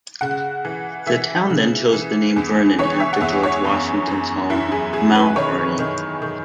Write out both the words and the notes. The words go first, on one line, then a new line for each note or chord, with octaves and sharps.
The town then chose the name Vernon, after George Washington's home, Mount Vernon.
C#3 F#5
E3
E3 E5
C#3
E3
E2
E3 C#5
E5
F#5
E2 E5
C#5
F#2
F#2
F#2 E4
G#4
F#2 G#4
B4
D#3 C#5
D#3
D#3